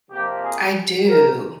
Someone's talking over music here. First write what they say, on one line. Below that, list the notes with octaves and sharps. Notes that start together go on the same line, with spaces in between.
I do.
F2 C3 F3 A#3 G4
G#4
A#4